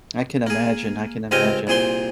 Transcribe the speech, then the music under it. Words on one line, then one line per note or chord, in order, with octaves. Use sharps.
I can imagine, I can imagine.
A#3 G#4
C#2 C4 G4 D#5 F5 G#5
C2 A#2 G#4 C5 C6